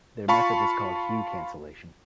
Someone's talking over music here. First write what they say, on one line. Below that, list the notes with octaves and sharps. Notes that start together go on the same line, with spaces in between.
Their method was called "hue cancellation".
F4 F5 A5 B5 C#6